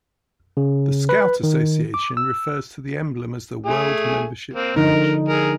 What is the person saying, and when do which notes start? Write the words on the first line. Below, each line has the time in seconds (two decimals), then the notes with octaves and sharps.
The Scout Association refers to the emblem as the World Membership Badge.
0.57 C#3
1.09 B4
1.43 D#3
1.94 D6
2.17 E6
3.65 A3 G#4 G#5
4.53 A#3 C4
4.76 D3 F3 D#4 A#4
5.28 G#4 A#4